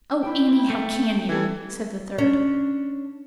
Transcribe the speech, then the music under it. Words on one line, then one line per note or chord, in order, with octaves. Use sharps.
"Oh, Anny, how can you!" said the third.
E4 G5
A3 E5
E3 G3 A4 G#6
C#4 D4